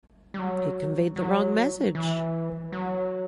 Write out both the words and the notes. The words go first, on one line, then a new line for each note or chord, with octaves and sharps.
It conveyed the wrong message.
G3
F#3
F#3
E3
F#3